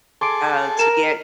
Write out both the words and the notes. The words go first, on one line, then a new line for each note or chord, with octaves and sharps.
uh, to get,
G#4 A4 C6 D6 D7
A#4 E7